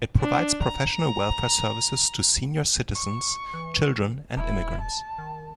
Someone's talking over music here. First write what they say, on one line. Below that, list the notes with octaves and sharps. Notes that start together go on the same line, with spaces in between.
It provides professional welfare services to senior citizens, children and immigrants.
D4
A#5
C#6
E3
D#1 E4
A5
D#3